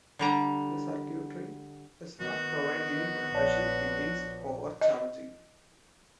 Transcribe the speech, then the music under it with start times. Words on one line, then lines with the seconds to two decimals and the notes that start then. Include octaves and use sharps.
This circuitry does not provide any protection against over-charging.
0.19 D3 G3 A#5
2.20 D#3 B3 F#4
3.35 A#1 C#5 D5 A5
4.81 D#5